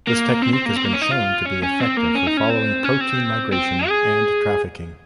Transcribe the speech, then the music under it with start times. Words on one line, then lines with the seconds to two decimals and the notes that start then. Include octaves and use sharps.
This technique has been shown to be effective for following protein migration and trafficking.
0.07 A#3
0.42 C4
0.53 C4
0.65 A#3
0.76 C4
0.85 A#3
0.93 C#4
1.02 D#4
1.11 F4
1.46 C#4
1.63 C#4
1.80 C4
1.97 A#3
2.15 C#4
2.27 D#4
2.37 C#4
2.50 C4
2.84 C#4
3.01 C4
3.53 C4
3.88 G#4